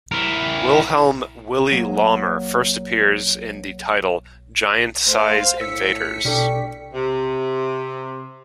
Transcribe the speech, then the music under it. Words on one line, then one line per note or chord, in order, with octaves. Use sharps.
Wilhelm "Willie" Lohmer first appears in the title "Giant-Size Invaders".
E4 A#4
F#3 A#3 G#4
A3 C5 F5
A2 E6 B6 C#7
B2 G3 D4 A4 C#6 D6
C3